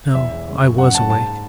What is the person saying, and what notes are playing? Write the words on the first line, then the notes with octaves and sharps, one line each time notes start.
"No--I was awake."
E2 E5
E1
C#3
F#2
F#2 F#5
F#1 A5
G#2 A5